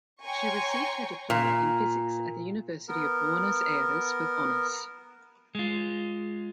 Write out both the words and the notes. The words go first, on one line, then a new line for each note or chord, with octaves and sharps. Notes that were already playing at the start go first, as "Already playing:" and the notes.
She received her diploma in Physics at the University of Buenos Aires with honors.
C#5 G5 G#5 A#5 C6 C#6
A#2
B3 A#4
G#3 F4